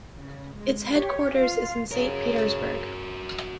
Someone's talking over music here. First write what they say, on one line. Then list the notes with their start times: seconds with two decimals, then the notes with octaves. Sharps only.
Its headquarters is in Saint Petersburg.
0.15 C#3
0.56 G#3
0.92 G4 C#5
1.35 F4 F5
1.92 C#3 F#4 A#4